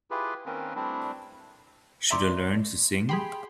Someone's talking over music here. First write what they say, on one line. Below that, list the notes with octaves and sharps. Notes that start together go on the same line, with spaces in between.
Should I learn to sing?
E4 F4 G4 G#4 B4
D#3 A#3 C4 C#4 A#4 B4
G3 A3 C4 D4 E4
D5 E5 A#5 C6 C#6
G4 G#4 B5 C6